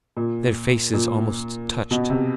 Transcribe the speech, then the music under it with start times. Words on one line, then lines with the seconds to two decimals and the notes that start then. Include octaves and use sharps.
Their faces almost touched.
0.17 A#2
0.93 A#2
1.91 B2
2.10 C3